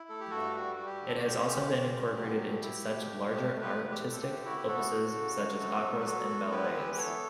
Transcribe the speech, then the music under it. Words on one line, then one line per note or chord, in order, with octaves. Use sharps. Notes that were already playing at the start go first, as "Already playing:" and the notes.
It has also been incorporated into larger artistic opuses such as operas and ballets.
Already playing: E4
A3 A4
G4
G2 F#4 A4
G3 F#4
G3 F#4
G4
D3
A4
G4
D3
C#4 G4
C#4
C#4
F#3
B2
E4
B2
B2
A3 G4
A3
G4 B4
E2
G4
A3
A4
D3 G4
E4 F#4
G4
B3 F#4 A4
D3
C#3
F#2
B3
F#3
B4
B3 F#4 A4
B3
E4 G4 B4
E3
B3 A4 C#5